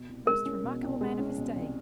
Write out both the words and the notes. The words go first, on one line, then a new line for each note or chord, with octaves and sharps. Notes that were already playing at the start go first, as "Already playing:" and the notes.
Most remarkable man of his day.
Already playing: B2
C2
G#3 A#4
C#4
B2
C2
G#3
C#4
B2
C2